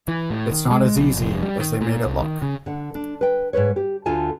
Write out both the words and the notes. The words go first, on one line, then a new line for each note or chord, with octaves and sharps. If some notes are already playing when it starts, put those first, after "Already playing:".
It's not as easy as they made it look.
E3
A2
D#3
G#3
B1
F1
G3
D#3
A#2
C2
D#3
C#3
D3 F#5
D4
B4 G5
G#2 B2 B4 C#5
G4
D2 D3 F4 A4 G#5 A5